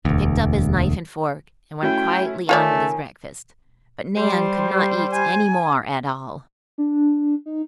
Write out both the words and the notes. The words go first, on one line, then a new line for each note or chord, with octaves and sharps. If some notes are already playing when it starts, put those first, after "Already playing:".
He picked up his knife and fork and went quietly on with his breakfast. But Nan could not eat any more at all.
E1 D2
A3 C#4 E4 F#4 G5
D#3 A3 F4 A#4 C#5 D5 G#5
G3 G4 C5
G#5
D4
D#4